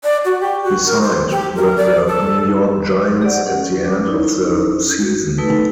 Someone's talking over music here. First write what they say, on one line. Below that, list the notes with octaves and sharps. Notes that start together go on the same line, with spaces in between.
He signed with the New York Giants at the end of the season.
D5
F#4
G4
F#4
A#4
C5
G4
A#4
D5
A4
G4 G#4 D5 D#5 F#5
C#4
D6
C#4 D#4 E4
F#4
A3 D#4 A4 B4 E6